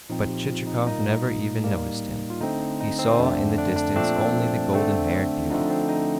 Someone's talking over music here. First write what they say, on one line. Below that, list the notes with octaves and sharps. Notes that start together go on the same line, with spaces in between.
But Chichikov never even noticed him; he saw in the distance only the golden-haired beauty.
A#2 F3 C4 D#4
G4
F4
D#4
A#2 G3 A#3 D#4
A2 G3 A#3
F4
D3 A3 C4 D#4
D#4
C4
F2 D3 A3 C4 D4
D4
D4
A#2 F3 A3 C4 D4
D3 A3 C4
D3 F3 A3 C4 D#4
D4
C4
D#4